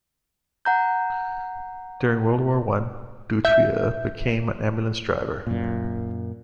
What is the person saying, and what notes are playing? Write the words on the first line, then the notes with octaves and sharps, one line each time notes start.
During World War One Dutrieu became an ambulance driver.
F#5 A#5 G6
E5 G6
F#2 A#2